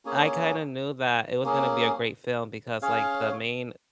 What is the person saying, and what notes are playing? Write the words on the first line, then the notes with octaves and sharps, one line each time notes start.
I kinda knew that it was gonna be a great film because like the main,
A#3 C#4 G#4 C#5
A#3 C#4 G#4
C#4 G#4 C#5 F5